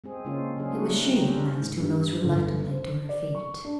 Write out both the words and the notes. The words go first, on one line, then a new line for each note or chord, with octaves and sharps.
It was she at last who rose reluctantly to her feet.
G#3 C4 G#4
C#3 G#3 A#3 C#4 D4 F4
C#3 F#3 C#4 D4 G#4
G3 A3 A#3 D#4 F#4
C4 C#4 G4 A#4
G#2
G2
G1
C5
D5
C#6
D4